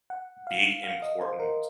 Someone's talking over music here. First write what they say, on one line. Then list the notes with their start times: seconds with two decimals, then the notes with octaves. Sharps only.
big important
0.10 F#5
0.47 F5
0.84 F5
1.02 D#5
1.21 C5
1.39 A#4